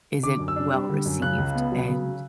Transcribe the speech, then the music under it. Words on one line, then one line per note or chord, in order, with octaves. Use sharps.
isn't well-received, and
D3 D6
F#2
E6
D4
G3
D3
F#2
C#3 F#6
C#2
B3
F#3
C#3